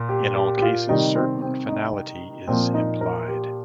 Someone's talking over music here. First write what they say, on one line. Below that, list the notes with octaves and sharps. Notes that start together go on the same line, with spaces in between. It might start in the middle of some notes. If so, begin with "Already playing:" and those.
In all cases, certain finality is implied.
Already playing: A#2
G4
G4
G4
F4
C3 D#3 G3 D#4
C4
C4
D#4
A#2 F3 C4
D#4
A#4
G4